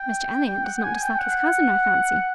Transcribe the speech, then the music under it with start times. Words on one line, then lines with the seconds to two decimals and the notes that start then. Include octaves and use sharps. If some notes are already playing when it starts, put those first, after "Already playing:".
"Mr Elliot does not dislike his cousin, I fancy?"
Already playing: G5
0.46 G5
0.64 F#5
0.79 G5
0.83 G#5
0.95 G#5
1.02 G5
1.19 F#5